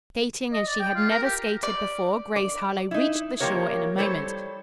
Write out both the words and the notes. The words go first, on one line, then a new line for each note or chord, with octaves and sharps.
Skating as she had never skated before, Grace Harlowe reached the shore in a moment.
D#5
D5
G5
F4
A#4
G4
D5
D5
D#4 E4
F3 A#3 G4 A#4 C#5
G3 E4 A4 C5 C#5